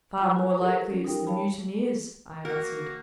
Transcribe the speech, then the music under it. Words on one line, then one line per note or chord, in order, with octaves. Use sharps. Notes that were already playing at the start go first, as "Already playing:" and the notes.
"Far more likely it's the mutineers," I answered.
F4 G#5 F6
F#4 G#5
G4 A4 A#4
G3 C#4
D#4 G4 A#4 G5
C#5 F5 G5 A5 B5
A#3 F#4 A#4